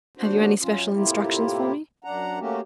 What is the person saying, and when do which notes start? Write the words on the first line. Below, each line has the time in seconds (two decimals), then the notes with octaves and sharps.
"Have you any special instructions for me?"
0.18 D#2 D4 F#4 C5
0.61 F#2 F#3 C#4 F4
0.93 A2 C3 A#3 E4 F4 G4
2.04 F#2 D4 F#5 A#5
2.39 A3 A#3 C#4 F#4 G4